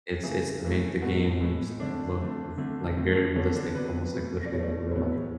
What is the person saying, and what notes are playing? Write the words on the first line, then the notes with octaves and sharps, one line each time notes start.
it's it's to make the games look f like, very realistic, almost, like, literally, like, real life,
C#3 E3 A3 G#4
C#3 E3 A3
A2 G#3 B3 F#4
A2 G#3 B3
D3 A3 D4
D3 A3
D3 A3
D3 A3
D3 F#3 B3 C#4
D4
D3 F#3 B3 B4
B2 A3
D5
B2 A3 C#5
D5
A2 F#3 B3 C#5